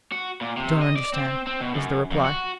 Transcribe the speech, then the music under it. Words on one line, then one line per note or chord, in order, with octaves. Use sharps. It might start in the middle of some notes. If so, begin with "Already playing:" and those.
"I don't understand," was the reply.
F#4
A#2
C3
D#5
D5
C4
C4
B2
F#2
F2
F#4